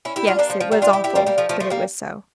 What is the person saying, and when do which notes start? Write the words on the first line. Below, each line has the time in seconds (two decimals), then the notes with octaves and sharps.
Yes, it was awful, but it was so.
0.05 C#4 E4
0.16 E4 G4
0.27 D4 F4
0.39 A#3 D4
0.50 F3
0.61 F3
0.72 G3 A#3
0.82 D4 F4
0.93 E4 G4
1.04 E4 G4
1.15 G3 A#3
1.26 G3 A#3
1.38 F3 A3
1.49 F3 A3
1.60 F3 A3
1.70 G3 A#3